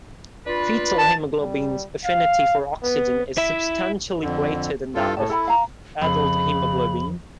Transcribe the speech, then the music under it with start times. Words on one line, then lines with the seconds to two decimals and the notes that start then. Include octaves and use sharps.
Fetal hemoglobin's affinity for oxygen is substantially greater than that of adult hemoglobin.
0.47 D4 F4 B4
0.98 A5
1.41 G3
2.04 F5
2.83 B3
3.38 E4 E5
4.21 F2 D3
4.95 G2 E4 F4 A4
5.17 A2 A4 C#5 A5
5.29 E4 A4 G#5 B5
5.47 F5 A#5
6.01 F2 C#3 B5